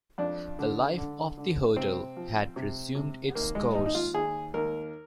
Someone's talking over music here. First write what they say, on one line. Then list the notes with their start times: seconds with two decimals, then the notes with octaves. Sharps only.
The life of the hotel had resumed its course.
0.18 F2 D4
0.59 D3
0.98 D3
1.38 D3
1.76 C3 C4
2.17 F3
2.56 C3
2.95 C3
3.35 D#2 A#3
3.55 G#3
3.75 D#2 D#4
3.86 D#4
3.95 F4
4.14 D#2 G#4
4.54 D#2 A#4